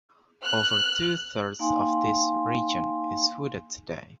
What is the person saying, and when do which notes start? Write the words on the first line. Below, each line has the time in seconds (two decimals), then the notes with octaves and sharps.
Over two thirds of this region is wooded today.
0.43 F6 F#6
1.59 A#3 D#4 F5 G5 G#5 C6